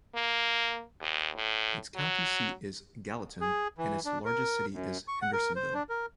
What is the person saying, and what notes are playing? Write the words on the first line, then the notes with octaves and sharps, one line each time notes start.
Its county seat is Gallatin, and its largest city is Hendersonville.
A#3
D#2
A2
F#3
G#4
E3
D4
A#4
F#2
C#6
F#5
A#4
C5
D4
A#4